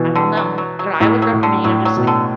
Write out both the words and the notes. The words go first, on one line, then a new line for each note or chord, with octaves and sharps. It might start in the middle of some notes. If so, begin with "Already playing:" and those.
I don't know. What I would recommend, you know, just the, like,
Already playing: B2 E3
D3
F#3
F#3
F#3
A2 F#3
F#3
A2
D3
A2 F#3
F#3
B2
D3